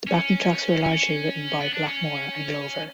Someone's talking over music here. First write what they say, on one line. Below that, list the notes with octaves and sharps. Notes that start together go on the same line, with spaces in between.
The backing tracks were largely written by Blackmore and Glover.
C#4
C#4
B3
D4
C#4